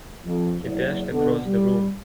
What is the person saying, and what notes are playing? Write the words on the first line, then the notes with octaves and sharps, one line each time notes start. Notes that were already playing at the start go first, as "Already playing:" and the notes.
He dashed across the room.
F2
F#1 E2
B2 D3
G3